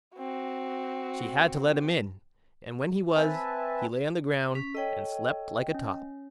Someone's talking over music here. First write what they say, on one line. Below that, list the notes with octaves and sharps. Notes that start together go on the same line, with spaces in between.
She had to let him in, and when he was, he lay on the ground and slept like a top.
C4 F#4
C4 B4 E5 G#5 A5
C#4 B6
A4 C#5 D#5 G5
C#4